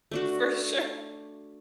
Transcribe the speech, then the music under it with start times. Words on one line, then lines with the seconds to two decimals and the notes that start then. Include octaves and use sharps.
For sure.
0.11 A3 D4 F#4